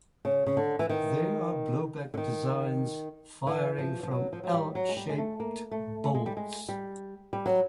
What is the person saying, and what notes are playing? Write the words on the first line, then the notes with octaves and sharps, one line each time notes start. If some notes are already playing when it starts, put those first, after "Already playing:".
They are blowback designs firing from "L"-shaped bolts.
C#3
C#3
D3
E3
D#3
D3
D#3
E3
F3
F3
F#3
F3
F#3
G3
F#3
G#3
G3
G#3
A3
A#3
A3
A3
G#3
G3
G#3
G3
G3
F#3